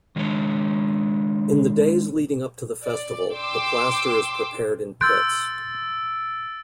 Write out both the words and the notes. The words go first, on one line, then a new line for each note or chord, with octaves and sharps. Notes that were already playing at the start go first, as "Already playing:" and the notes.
In the days leading up to the festival, the plaster is prepared in pits.
D#3 G#3 D4 C#5
D5
G5 C6 D6 E6
C6 E6 F#6 G6 A6 D7